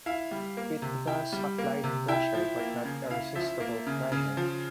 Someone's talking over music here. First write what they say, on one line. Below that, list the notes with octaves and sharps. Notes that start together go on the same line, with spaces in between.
It thus applied pressure but not irresistible pressure.
E4 F5
G3
A#3
C3
E4 G5
G3
A#3
C3
E4 G5
F3
A#3
C#3
E4 F5
F3 E5
A#3
C#3
C#3
F3